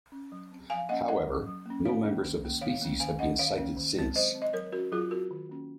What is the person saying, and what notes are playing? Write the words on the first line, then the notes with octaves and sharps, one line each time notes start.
However, no members of the species have been sighted since.
C#4
F#3
C4
F3 F5 G#5
A#3 C#4 D#5 F#5
F#3 D#5 F#5
C#4
F#3
A#3 C#4
D#3 C#5 F5
A#3 C#4
D#3
A#3 C#4
D#3 C#5 F5
A#3 C#4
D#3 F5 G#5
F#3 C#4 D#5 F#5
D#3 C#5 F5
A#3 C#4
D#3
G#3 C4
F#3 C5 D#5
C4
D#5
F#3 A#4 C#5
C#4 F#4 A#4
F#3 F4 G#4
C4 F#4 A#4
D#3
A#3 C#4